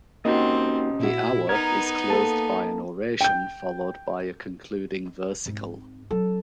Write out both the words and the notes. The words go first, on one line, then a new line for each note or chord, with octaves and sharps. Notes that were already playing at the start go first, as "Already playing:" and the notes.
The hour is closed by an oration followed by a concluding versicle.
A#3 C4 C#4 D#4 F#4 G4 D#5
A#2 E4 F#4
B3 D#4 A#4 G#6
A#3 A4 A5
G5 G6
G#2 C4
F#3 C#4 A4